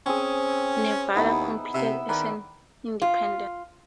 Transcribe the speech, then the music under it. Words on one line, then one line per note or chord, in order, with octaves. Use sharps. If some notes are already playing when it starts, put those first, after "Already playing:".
Nevada competed as an independent.
C4 C#4 G#4
D#2 B3 D#4 E4
C3 E5
D#3 A#4 B4 D5
F4